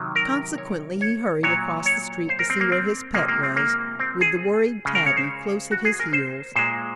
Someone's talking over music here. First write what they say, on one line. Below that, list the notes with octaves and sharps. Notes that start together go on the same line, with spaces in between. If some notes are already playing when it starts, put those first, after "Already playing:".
Consequently he hurried across the street to see where his pet was, with the worried Tabby close at his heels.
Already playing: C3 D#3 F#3
A#4
C#5
C#5
A#2 F#3 C#5
C#5
C5
A#4
C4
A#3
C4
C3 F3 G#3 A#3
A#3
C4
A#3
C4
G#4
C#3 G#3
A#4
C#5
C5
F#4
G#4
A#4
C5
A#2 G#3 C5